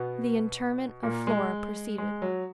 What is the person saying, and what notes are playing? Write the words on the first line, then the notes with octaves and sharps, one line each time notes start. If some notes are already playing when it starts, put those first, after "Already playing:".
The interment of Flora proceeded....
Already playing: B2 B3
A#2 A#3
G#3
G#3
F#3